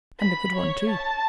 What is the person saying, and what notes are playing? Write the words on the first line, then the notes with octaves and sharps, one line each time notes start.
"And a good one, too."
B5
C#5
A5